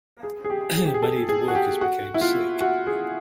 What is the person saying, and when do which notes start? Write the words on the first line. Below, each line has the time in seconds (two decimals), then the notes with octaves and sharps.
Many of the workers became sick.
0.23 G#4
0.44 G#4
0.50 G4
0.76 G#4
0.86 G4
0.94 G#4
1.02 A4
1.29 G#4
1.48 F#4
1.55 G4
1.81 F#4
2.14 E4
2.21 F4
2.61 F#4
2.87 G#4